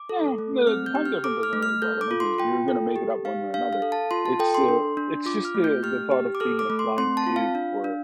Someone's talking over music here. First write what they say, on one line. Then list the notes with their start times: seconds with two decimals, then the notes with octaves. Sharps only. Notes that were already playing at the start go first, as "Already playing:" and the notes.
Yeah, the the time difference doesn't really bother me 'cause you're gonna make it up one way or another. It's uh, it's just the the thought of being in a flying tube for
Already playing: D6
0.09 A4
0.38 A3
0.67 C4 F6
0.86 G6
0.95 G4
1.06 F6
1.24 A4 D6
1.43 F6
1.53 A3
1.63 F6
1.82 A4 G6
2.01 D6
2.11 F4
2.20 C6
2.38 F4 G5
2.68 A4
2.96 G4
3.25 G4 F5
3.54 D4 F5
3.73 F5
3.82 A4
3.92 A5
4.11 F4 C6
4.26 A5
4.39 A4 G5
4.55 C6
4.68 D4
4.97 D4
5.26 F4 D6
5.45 F6
5.55 A3
5.64 G6
5.83 G4 F6
6.11 G4
6.35 D6
6.40 A4 F6
6.59 D6
6.70 A3
6.79 C6
6.98 C4 C6
7.17 A5
7.27 F4
7.36 F5
7.55 D4
7.84 D4